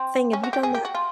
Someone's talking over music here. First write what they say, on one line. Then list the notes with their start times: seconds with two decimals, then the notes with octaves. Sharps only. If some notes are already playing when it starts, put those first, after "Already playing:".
thing. Have you done that?
Already playing: C4
0.33 C#4
0.44 F#4
0.53 G4
0.63 G#4
0.75 G4
0.85 F#4
0.95 F4